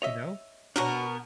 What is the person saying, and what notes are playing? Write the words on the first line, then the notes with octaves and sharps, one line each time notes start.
You know?
C#5 D#5 E5
B2 B3 D4 F#4 A#4 C#5